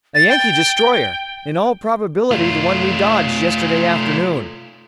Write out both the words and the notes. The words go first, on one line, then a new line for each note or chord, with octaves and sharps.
"A Yankee destroyer--in all probability the one we dodged yesterday afternoon."
A6
G5
A3 F4